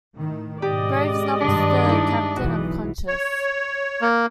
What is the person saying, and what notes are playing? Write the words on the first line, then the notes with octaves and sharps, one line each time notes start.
Graves knocks the captain unconscious.
A2 D#3
G#2 B2 G#3 G4 D5 D#5
G2 D#3 D4
D#4 E4
B1 E3 F#4
C#5
A#3